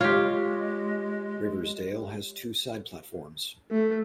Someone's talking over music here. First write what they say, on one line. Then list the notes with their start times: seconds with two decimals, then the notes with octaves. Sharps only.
Riversdale has two side platforms.
0.01 G#3 F4 G4 C#5
3.71 A3